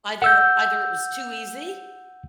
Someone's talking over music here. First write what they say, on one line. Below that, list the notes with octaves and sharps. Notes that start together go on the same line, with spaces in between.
Either either it was too easy,
F#5 E6 G6